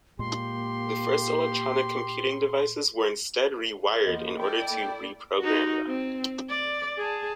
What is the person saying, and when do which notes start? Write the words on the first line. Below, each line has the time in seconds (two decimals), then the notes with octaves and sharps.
The first electronic computing devices were instead rewired in order to "reprogram" them.
0.19 A#2 G#3 A#3 G4 C6
4.06 E2 F3 A#3 B3 D#5
4.39 E4 A4 D5 G5
5.39 D#4 F#4
5.88 C4
6.49 D5
6.98 G#4 A5